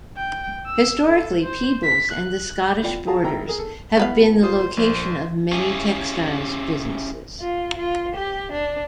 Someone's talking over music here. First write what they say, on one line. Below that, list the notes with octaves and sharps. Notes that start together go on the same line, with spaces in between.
Historically Peebles and the Scottish borders have been the location of many textiles businesses.
G5
E6
A4
C5
B6
F#6
B3 F4 D5 G5
F4 G#4 F5 A5 A#5
G#1 D#3 E4 G5 A#5
G#4 A#4
A4
E3 B3 F5
F4 C5 D#6
A#1 C5
C#4 E4 G4 G#4 F5 G#5
F4
F4
G4
D4